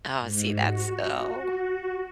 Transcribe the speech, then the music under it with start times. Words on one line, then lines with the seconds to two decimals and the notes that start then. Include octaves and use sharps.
Oh, see, that's Oh.
0.20 G#2
0.57 F#4
1.11 F#4